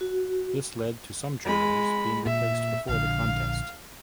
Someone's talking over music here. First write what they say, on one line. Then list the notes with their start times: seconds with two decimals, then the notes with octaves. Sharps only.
This led to some jurors being replaced before the contest.
0.01 F#4
1.45 G#3 B5
2.26 A#2 E5
2.89 A#1 D3 F5